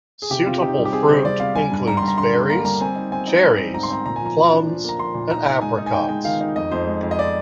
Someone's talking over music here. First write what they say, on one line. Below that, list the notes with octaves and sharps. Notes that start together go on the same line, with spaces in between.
Suitable fruit includes berries, cherries, plums and apricots.
G#4
C3 G4
C4 F4
D#4 G4
G3
G4
C4 G#4
C3 C5
G3 D5
C4 F5
G3 G#5
G2
G3 A#5
C6
G3
A#5
D3 C6
D3
A#3 A#5
G3 A#5
C4 G#5
D#4
C4 G#5
D#4
G3
C4
G#2 A#5
C6
C4 A#5
A#2 A#5
G#5
F3 A#5
F3
D4
F3
A#3 A#5
F3 C6
A#2
D#4 A#5
D#4 A#5
G#3 G#5
D#4
G#5
D#4 G5
G#3 G5
D#3 F5
D#4
F2 D#5
F2 C5
G#3
F2
D#5
D5